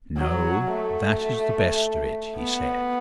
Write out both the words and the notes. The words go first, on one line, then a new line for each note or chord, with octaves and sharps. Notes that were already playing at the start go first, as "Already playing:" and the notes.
"No--that is the best of it," he said.
F#3
A3
B3